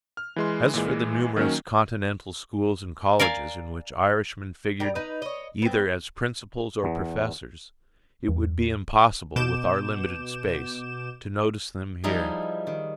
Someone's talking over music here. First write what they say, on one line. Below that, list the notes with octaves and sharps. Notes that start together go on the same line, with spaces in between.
As for the numerous Continental schools and colleges in which Irishmen figured either as principals or professors, it would be impossible, with our limited space, to notice them here.
F6
E3 G#3 C6
A#2 E3 G#3
D#3 F#3 A#3 C#4
A#4 D5 F5 G#5
G3 A#4
D#4 B4
C#5 D#5
B3 C4
E2
E2
B2 D6 G6 E7
F3 G3 D#4 E4 G#4
D#3